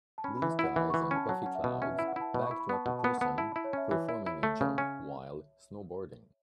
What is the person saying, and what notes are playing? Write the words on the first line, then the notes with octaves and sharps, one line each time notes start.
Blue skies and puffy clouds backdrop a person performing a jump while snowboarding.
A5
C#4 B5
B5
E3
E5
E4 F#5
E3 B5
E3 C#6
B5
C#4 A5
F#3 A5
C#4 F#5
E5
B2 B4
C#4 E5
E4 E5
F#5
E4 A5
B2 B5
C#6
E4 B5
B5
B3 A5
B2 F#5
A5
B3
F#5
B3 A5
E4 A5
E4 B5
C#5
C#4 E5
E3 E5
E4
E4
A3
C#3
C#4